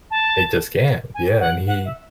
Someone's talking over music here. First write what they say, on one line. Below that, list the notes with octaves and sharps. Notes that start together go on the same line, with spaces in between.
It just can't, yeah, and he
A5
G#5
F#5
F#5
E5